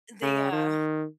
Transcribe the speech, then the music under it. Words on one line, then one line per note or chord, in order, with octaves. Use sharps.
they, uh
C#3
D#3